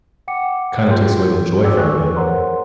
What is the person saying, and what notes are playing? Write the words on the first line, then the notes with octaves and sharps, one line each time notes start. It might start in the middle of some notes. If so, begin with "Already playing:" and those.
kinda takes away the joy from it, you know?
F#5 G5 D6 C#7
F4 G#4 G5 C6 G6
F#4 G#4 D5 G5 D6 E6
G#4 A4 B4 G#5 C#6 F#6
A#4 C5 C#5 F#5 A#5 C6